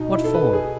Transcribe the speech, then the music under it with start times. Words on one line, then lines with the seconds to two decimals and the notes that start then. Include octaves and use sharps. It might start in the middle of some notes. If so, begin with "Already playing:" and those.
"What for?"
Already playing: B2 D#4
0.13 E4
0.24 A4
0.34 B4
0.53 G#4